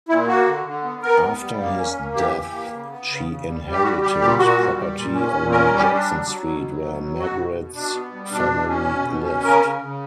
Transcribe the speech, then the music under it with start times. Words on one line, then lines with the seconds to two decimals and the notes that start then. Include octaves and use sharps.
After his death, she inherited property on Jackson Street where Margaret's family lived.
0.09 A#2 E4
0.28 A#3 F#4
0.46 D3
0.65 D3
0.84 B3
1.02 B3 A#4
1.21 B3
1.40 G3
1.59 A#3
1.77 C#4
1.96 A#3
2.14 E3 G4
2.33 E3
2.52 A#3
2.71 C#3
2.90 B3
3.08 C#3
3.27 C#3
3.45 G3
3.64 G3
3.72 G4
3.83 G3 F#4
4.01 G3 G4
4.20 A#2 G4
4.39 A#2 F#4
4.58 G3
4.77 G3
4.95 A#2
5.14 C#4
5.32 A#2
5.50 C#4 A#4
5.65 A#4
5.70 G3
5.79 G4
5.88 G3 D4
6.07 F#3
6.26 F#3
6.44 B2
6.63 F#3
6.82 B2
7.01 F#3
7.19 B2 F#4
7.38 B2
7.57 B2
7.75 B2 D4
7.94 B3
8.13 G3
8.31 B2 D4
8.50 B2
8.69 C#4
8.88 B2
9.07 B2
9.25 C#4
9.44 C#3 A#4
9.62 C#3
9.82 C#3